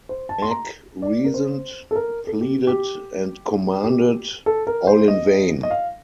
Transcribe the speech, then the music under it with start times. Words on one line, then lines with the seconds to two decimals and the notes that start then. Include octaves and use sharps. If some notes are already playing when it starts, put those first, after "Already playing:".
Meg reasoned, pleaded, and commanded: all in vain.
0.09 C5
0.29 A5
0.42 C6
0.51 A#5
1.02 D5
1.25 A#4
1.34 C5
1.91 A4
1.96 A#4
2.27 A4
2.41 G4
2.67 G4
3.84 G4
4.46 A4
4.67 A#4
4.87 C5
5.08 D#5
5.63 D#5
5.71 F5